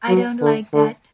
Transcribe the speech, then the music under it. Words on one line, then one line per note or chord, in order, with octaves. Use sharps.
I don't like that.
F#3
D3
D3